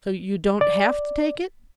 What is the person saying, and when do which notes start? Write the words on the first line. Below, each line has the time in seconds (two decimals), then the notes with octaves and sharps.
So you don't have to take it.
0.61 D5